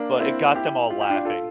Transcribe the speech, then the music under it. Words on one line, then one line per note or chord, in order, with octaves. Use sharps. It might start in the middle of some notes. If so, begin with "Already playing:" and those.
but it got them all laughing.
Already playing: A#3 D4
C4 E4
E4 G4
F4
G4
D4 F4
F4 A4